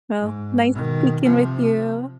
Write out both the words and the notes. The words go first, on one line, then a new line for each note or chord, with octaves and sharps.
Well, nice speaking with you
G#2
B2 D#3
C3 F3